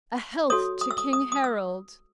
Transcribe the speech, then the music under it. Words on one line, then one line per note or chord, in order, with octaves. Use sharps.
"A health to King Harald!"
F#4 A4 C#5 D#6
D#6
E6
D#6
D#6
D#6
E6